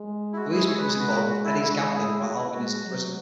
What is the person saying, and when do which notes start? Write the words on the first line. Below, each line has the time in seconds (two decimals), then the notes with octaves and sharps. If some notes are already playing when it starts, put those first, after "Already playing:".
Louise becomes involved with Eddie's gambling while Alvin is in prison.
Already playing: G#3
0.33 E4
0.36 G#3 F#4
0.52 E4 G#4
0.67 C#5
0.79 B4
0.89 G#4
0.99 F#4 B4
1.30 F#4
1.44 E4
1.60 G#3 E4
1.71 F#4
1.80 E4 G#4
1.91 E4 G#4
2.22 F#4
2.37 E4
2.52 G#3 F#4
2.83 F#3